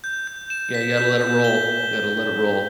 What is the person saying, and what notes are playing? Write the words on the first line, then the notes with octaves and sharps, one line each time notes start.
Yeah, you gotta let it roll. You gotta let it roll.
G6
G6
E7
B6
G6
G6
G7